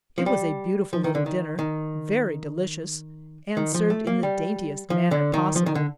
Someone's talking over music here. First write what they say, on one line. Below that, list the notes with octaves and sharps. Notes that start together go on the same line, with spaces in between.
It was a beautiful little dinner, very delicious, and served in the daintiest manner possible.
F3
G3
F3
D#3
D3
D#3
D#3
D#3
F3
A3
A#3
G3
F3
D3
D#3
F3
D#3
D3